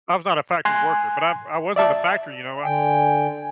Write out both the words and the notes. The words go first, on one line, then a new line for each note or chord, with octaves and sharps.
I was not a factory worker, but I I was in the factory, you know, I
G#5 C6 F#6 G#6
D5 E5 A5
D3 G5 G#5